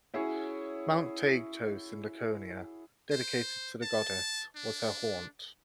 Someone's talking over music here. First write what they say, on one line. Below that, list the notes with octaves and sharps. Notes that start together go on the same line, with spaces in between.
Mount Taygetos in Laconia, dedicated to the goddess, was her haunt.
C#4 E4 F#4 G#4 C#5
C5
A5
D4